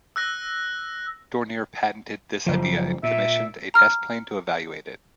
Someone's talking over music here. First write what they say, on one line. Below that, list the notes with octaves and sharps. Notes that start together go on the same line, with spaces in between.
Dornier patented this idea and commissioned a test plane to evaluate it.
E6 F#6 A#6
F#1 F3
A#2 E5
A#5 F6